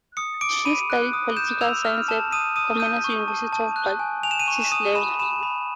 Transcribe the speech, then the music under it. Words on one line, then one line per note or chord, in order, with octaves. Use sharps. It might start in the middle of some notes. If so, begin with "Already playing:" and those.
She studied political science at Comenius University in Bratislava.
D#6 C#7
D6 D7
B5 D#7
F#6
D#6
G6 E7
E6 F7
F6
A5 E7
D#6 D#7
D#6 D#7
G6 D#7
C#6
A5
A5
F#6
G#5
G#5 F7
E7
D#7
C#6 E7
E7
D#6 D#7
B5 E7
B5 E7
B5